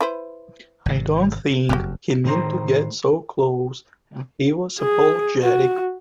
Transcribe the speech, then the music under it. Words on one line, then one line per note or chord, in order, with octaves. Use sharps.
I don't think he meant to get so close and he was apologetic.
E4 B4 C5
G#1 C3
F#1 F2 F#4 G4
A2 D#3 G#4 C5 A#5
G#4
F#4